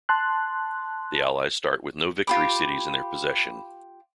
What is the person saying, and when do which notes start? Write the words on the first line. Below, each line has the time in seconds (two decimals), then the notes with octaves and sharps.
The allies start with no victory cities in their possession.
0.09 A5 C6 F#6
2.27 F4 G4 B5 D6